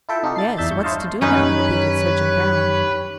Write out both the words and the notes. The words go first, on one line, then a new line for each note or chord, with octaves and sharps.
"Yes, what's to do now?" repeated Sergeant Brown.
E4 F4 A4 E5 G5
C3 D#4 F4 G4 A4
A6 C7
E2 D4 E5 G6 A6
G2 C#6 G6
E4 C5 C#5 D#5 F5 A5
F#2 D#3 C#4 D#4 G4 B4 C#5 B5